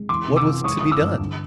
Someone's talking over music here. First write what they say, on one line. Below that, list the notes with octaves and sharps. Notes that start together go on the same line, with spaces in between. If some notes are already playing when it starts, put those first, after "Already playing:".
What was to be done?
Already playing: G#3
E3 C6 D6
C3
D6 E6
E3
G#3 C#6 D#6
E3 D#6
D6 E6
G2
D3